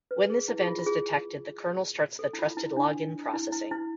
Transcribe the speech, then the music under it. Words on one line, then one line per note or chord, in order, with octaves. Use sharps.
When this event is detected, the kernel starts the trusted login processing.
B4
G#4
E4
G#4
F4
F4
G#4
A4
E4
F4
E4
D4
E4
E4
E4